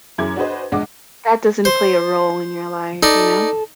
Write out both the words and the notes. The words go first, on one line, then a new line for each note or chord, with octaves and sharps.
that doesn't play a role in your life, you know?
F#2 E4 G#4 D6 G#6
D4 F#4 G#4 B4 C5 D#5
A#1 G#3 D4 D#5 F#5 D6
C5
D#4 A4 D5